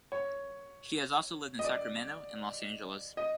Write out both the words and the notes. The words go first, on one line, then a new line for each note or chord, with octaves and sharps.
She has also lived in Sacramento and Los Angeles.
C#5
D#5
D5
D#5